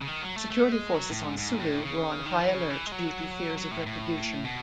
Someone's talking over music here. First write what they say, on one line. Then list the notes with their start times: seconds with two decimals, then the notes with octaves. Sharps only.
Security forces on Sulu were on high alert due to fears of retribution.
0.01 C#3
0.07 D#3
0.22 F#3
0.36 A3
0.51 A3
0.72 G#3
0.94 F#3
1.10 A2
1.24 G#2
1.38 G#2
1.59 A2
1.82 C#3
2.26 D#3
2.40 E3
2.55 C#3
2.70 E3
2.86 G#3
2.92 F#3
3.57 F#3
3.71 A2
3.87 A2
4.44 B2